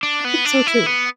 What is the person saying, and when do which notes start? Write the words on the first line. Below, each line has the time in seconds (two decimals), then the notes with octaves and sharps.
I think so too.
0.03 D4
0.24 B3
0.45 D4
0.67 E4
0.86 B3